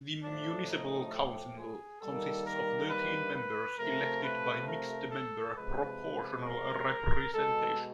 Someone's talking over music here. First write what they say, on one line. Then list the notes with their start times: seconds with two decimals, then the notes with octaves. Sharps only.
The municipal council consists of thirteen members elected by mixed-member proportional representation.
0.24 A2 F3 A3 D4
0.68 D#4
1.13 G4
1.57 G#4
2.01 D#3 G3 A#3 A4
2.45 A#4
2.90 B4
3.35 B4
3.78 C3 F3 A3 A#4
4.23 B4
4.67 A#4
5.11 A4
5.56 C3 F3 G#3 B4
6.45 A#4
7.33 B2 G#3 A4